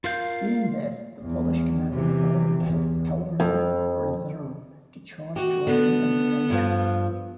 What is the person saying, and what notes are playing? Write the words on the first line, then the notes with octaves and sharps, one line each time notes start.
Seeing this, the Polish commander ordered his cavalry reserve to charge the Russian infantry.
F4 A#4 F5 G6
E2
C3 E3
E2
F2
F#4 G4
D3 B3
G2 F3